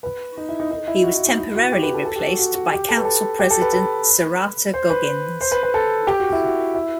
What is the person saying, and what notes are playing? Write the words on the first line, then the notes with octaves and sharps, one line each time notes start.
He was temporarily replaced by Council President Saratha Goggins.
B4
D#4
E4
D#4
D#4
E4
F#4
E4
D#4
E4
F#4
G4
B4
A4
A4
G4
F#4
F#4
F#4
G4
A4
B4
A4
G4
A4
B4
B4
C5
B4
C5
B4
B4
A4
G4
F#4
E4
F#4
E4